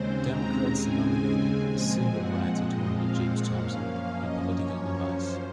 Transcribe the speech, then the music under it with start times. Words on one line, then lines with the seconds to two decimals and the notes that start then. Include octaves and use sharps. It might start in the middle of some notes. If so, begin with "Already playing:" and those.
Democrats nominated civil-rights attorney James Thompson, a political novice.
Already playing: D#2 C#3 G#3 C4 C5
0.22 A#5
0.69 G#5
1.63 A#2 F3 G#3 C4 G#5
2.10 F#5
2.58 D#5
2.89 F5
3.20 F#5
3.51 F#2 F3 A#3 C#4 F5
3.82 F5
4.14 D#5
4.45 C#5
4.77 C#5
5.08 C5